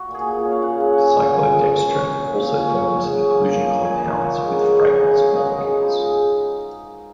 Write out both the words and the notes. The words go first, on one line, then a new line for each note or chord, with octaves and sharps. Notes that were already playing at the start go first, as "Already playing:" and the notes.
Cyclodextrin also forms inclusion compounds with fragrance molecules.
Already playing: F#4
A#2
G#4
A#2
C#4
F5
C#3 F#5
F#2
F#2 F#5 G#5
F3
G#3 G#5
B2
B2
C#4
F#3
A#2
A#2
C#4
F#3 F#5
G#2
G#2
A#3
F3 G#5
D#4
A#2 G#5
A#3
G#5
F#3 F#5
G#2
G#2
B3
A#5
C#3 G#5
F#2 F#5
F5
F#2 D#5
G#3
F3
D#4
G#2